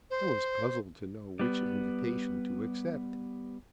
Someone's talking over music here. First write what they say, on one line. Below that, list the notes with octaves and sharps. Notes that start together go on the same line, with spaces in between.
I was puzzled to know which invitation to accept.
C5
G3 B3